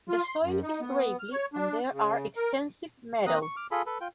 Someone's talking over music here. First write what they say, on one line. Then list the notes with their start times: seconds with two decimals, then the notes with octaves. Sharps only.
The soil is gravelly and there are extensive meadows.
0.09 F4
0.23 C6
0.42 F#2
0.63 D#4
0.81 B3
1.20 F6
1.32 C#5
1.54 D4
1.93 C#3
2.36 A#4
3.27 A#3 C4 D#5 D#6 F#6
3.42 C#6
3.56 D6 F6
3.71 F4 G#4 A4 B5
3.86 A4 B4
4.01 F4 G5